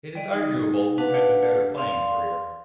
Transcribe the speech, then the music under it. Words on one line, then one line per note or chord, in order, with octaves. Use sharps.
It is arguable who had the better playing career.
G3 D5 D#5
D#4
D4 F#4 B4 F5 F#5 A5
D5 F5 C6